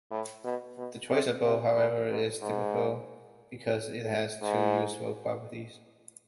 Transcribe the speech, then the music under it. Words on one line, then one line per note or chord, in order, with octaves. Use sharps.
The choice above, however, is typical because it has two useful properties.
A2
B2
B2
C3
C3
A2
G#2
G#2
G#2